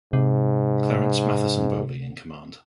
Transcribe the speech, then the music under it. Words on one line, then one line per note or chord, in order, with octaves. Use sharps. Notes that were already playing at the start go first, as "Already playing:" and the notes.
Clarence Matheson Bowley in command.
G#2 C3